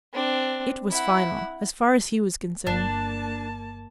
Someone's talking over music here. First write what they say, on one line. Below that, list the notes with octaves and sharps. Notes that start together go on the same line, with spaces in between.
It was final, as far as he was concerned.
C4 D4
E4 F#5
G1 A#3 D4 A5